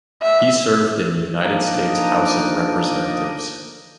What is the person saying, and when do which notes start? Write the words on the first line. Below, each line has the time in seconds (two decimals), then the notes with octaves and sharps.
He served in the United States House of Representatives.
0.22 E5
1.45 F3 A#3 D4 D#4